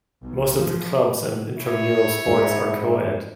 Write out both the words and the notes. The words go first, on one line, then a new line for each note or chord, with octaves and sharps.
Most of the clubs and intramural sports are coed.
B1
F3
E4 C#5
G#2